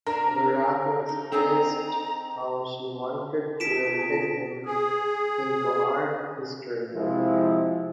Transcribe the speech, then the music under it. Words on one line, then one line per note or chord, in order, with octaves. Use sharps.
Guirado expressed how she wanted to embed him into art history.
D4 A#4
D#4
C4 D#4 G#4 A#5
F4 G#4 A5 B6 D7 E7
G#4
C3 F3 G#3 E4